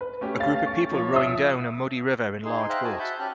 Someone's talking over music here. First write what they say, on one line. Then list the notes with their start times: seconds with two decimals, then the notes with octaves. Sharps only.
A group of people rowing down a muddy river in large boats.
0.01 B4
0.21 A3 C#4 G4
0.40 F5 A6
0.66 C#6
0.91 F3 C#5
1.13 E5 D#6
2.45 D#4 G#4 C6
2.69 C5 E5 F5 G5 A#5 F#6
2.84 F#4 G#5 A5
2.99 E5 F#5 A5 B5 G6
3.19 C#4 G4 A5 F6 F#6